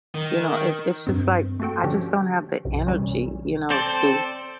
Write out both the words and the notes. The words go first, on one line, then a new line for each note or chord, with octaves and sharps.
you know, it's it's just, like, I just don't have the energy, you know, to
D#3
G2 C4
A3 A#3 F#4 A4 G5
D3 F3 C#4 D4 F#4 G4
B1 F#2 C3
C3 E3 G3 C#4
C4 A4 C5 D5